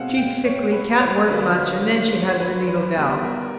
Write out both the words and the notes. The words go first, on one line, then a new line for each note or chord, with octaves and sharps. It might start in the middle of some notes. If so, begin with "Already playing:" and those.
She's sickly--can't work much--and then she has her leetle gal.
Already playing: B2 G#3 C4 F5 F#5
G5
C#5
B4
C5
D3 F#3 A#3 D4 B4
C5
C#5
C5
C#5
C5
B4
B4
C5
B4
D#3 G3 B3 A#4
A#4